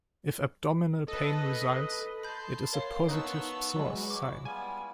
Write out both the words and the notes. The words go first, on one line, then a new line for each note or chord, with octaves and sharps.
If abdominal pain results, it is a "positive psoas sign".
A4 B4 D#5
A5 B5 C6 G6
A#4 C#5 F5
B3 D#4 F#4 B4 A5 C#6 E6
F#3 G#3 B4
E4 D6
G3 B3 F4 G#5